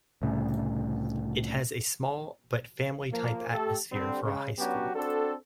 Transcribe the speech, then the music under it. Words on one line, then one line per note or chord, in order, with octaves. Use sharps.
It has a small, but family type atmosphere for a high school.
C2 A2 C#3
F3 A#3
A3 G4 A4
D3 G3 C4
C#3 G#3
F#3 B3 C#4 D4 F#4 G4
C4 D4 F#4 A4